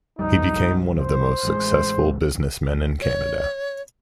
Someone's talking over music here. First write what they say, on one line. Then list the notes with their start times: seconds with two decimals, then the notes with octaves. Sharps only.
He became one of the most successful business men in Canada.
0.19 B1 F2 G3 D#4
0.97 C5
1.43 A1 G#3
3.01 C#5